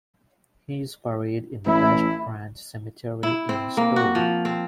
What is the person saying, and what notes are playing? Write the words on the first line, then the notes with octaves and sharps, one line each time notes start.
He is buried in the West Branch Cemetery in Stowe.
A1 E4
E4
C4
A#3
F#4
F3
C4